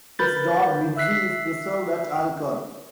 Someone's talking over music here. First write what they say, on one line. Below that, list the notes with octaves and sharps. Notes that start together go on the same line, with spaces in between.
His dog Mitzi is preserved at Alcor.
A#4 B4 B5 G6 A6
E5 E6 F#6 B6 C7